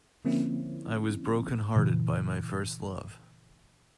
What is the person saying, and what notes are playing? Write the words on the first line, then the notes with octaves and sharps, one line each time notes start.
I was broken hearted by my first love.
D3 F3 A#3 C4 C#4 E4
A#2 C#3 E3